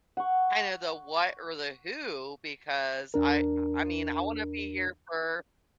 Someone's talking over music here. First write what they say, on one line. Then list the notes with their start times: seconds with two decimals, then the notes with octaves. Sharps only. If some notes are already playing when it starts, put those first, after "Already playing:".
kinda the what or the who because I I mean, I wanna be here for
0.17 F#5 C#6
3.14 E2 D4 A#4